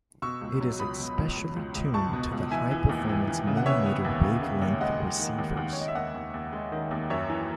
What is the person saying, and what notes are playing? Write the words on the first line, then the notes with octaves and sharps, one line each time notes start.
It is especially tuned to the high-performance millimeter-wavelength receivers.
B2 C#6 E6
C#2
F#3
C#2 B5 D#6
B2
C#2
C#2
C#2
C#2
C#2 A5 C#6
B2
C#2
E3 E5 G#5
E3
D#2
E3
E3
C#3
F#5
B3 C#5 E5
B3
D#2
C#3
C#3
D#2
G#3 D#5 F#5
G#3
D#3
D#2
D#2
C#5
D#2 D#5
E5
D#2 D#5 F#5
D#2
D#2
G#3
D#3
D#2
F#2 C#5 E5
E3